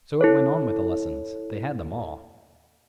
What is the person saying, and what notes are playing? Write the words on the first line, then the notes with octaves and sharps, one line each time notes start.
So it went on with the lessons; they had them all.
E4 A4 C#5